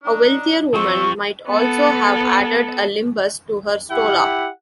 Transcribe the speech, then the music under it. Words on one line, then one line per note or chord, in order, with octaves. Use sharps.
A wealthier woman might also have added a limbus to her stola.
D4 D#4
F3 C4 C#6 E6
B3 A4
E4 G4 F#5